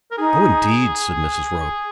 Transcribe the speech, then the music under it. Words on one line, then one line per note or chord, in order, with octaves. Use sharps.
"Oh, indeed!" said Mrs. Roper.
A#4
D#4 G#4